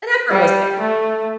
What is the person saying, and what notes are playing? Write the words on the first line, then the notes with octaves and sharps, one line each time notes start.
An effort was made.
G3
A3